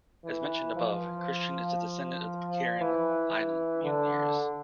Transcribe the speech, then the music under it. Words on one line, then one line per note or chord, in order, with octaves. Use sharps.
As mentioned above, Christian is a descendant of the Pitcairn Island mutineers.
E3
F3
E3
E3
D3